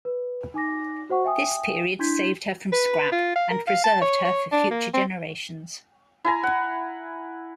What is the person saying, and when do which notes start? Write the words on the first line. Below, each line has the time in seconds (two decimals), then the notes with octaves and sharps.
This period saved her from scrap, and preserved her for future generations.
0.05 B4
0.54 D#4 G#5 D6 A#6
1.10 F#4 C5 F#5 C#6
1.25 E5 G5 G#5 D#6
1.99 D4 E4 C6 G6 G#6 B6
2.72 B4
3.12 F4
3.36 F5
3.50 A#4
3.67 F5
3.84 A5
4.01 C#5
4.25 C#5
4.52 D4
4.71 A#3
4.94 C4
6.25 E4 G#5 A#5
6.43 F#5